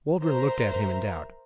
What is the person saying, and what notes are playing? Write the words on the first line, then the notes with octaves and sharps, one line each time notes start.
Waldron looked at him in doubt.
A#4 C5 E5 A#5